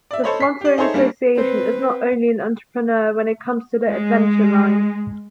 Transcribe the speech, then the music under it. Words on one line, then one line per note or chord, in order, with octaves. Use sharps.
The sponsoring association is not only an entrepreneur when it comes to the "adventure mine".
D5 E5
A4 C5 C#5 D#5 B5
B6 C7
G4 D5
D#4 G#4 A4 C5 C#5 E5
G3 A#3 C#4 D4
C4 B4 C5
G#3